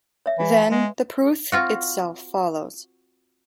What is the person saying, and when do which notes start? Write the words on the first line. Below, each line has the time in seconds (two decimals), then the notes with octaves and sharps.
Then, the 'proof' itself follows.
0.26 C#5 E5
0.39 E3
0.54 B4
0.70 G#3
1.52 C4 F4 F#4